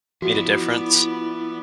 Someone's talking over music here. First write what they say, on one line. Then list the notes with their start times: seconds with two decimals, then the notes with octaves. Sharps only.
Made a difference.
0.22 F3 B3 E4 F#4 D5